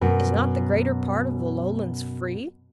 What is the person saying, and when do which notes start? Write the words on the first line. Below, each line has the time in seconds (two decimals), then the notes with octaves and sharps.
Is not the greater part of the Lowlands free?
0.01 F#2 B2